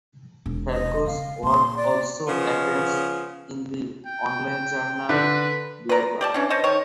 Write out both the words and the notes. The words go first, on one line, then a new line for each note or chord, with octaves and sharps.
Falco's work also appears in the online journal "Blackbird".
E1
D#5
C#3 F5
A#2 C6
D5
C#3 F3 B3
G5
D3 B4
A#4 B4
G4 D5 A5
E3 C#4 D4
C5 C#5 D#5 A5
D#3 C#5